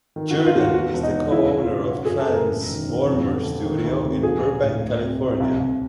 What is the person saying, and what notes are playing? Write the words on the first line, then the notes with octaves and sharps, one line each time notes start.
Jerden is the co-owner of Tranzformer Studio in Burbank, California.
D#3
F#4
D#3
F4
D#2 F#4
E2 F#4
E1
D#4
E1
E1 E4
E1
F4
C#3
F#2 F#4
G#4
F#2
A4
F#1 A#4
E1
D#3
E1
F2
D3
D3
D#3
D2
C3
A#1 G#4
A#1
A2
D2
C3
C3
C2
C2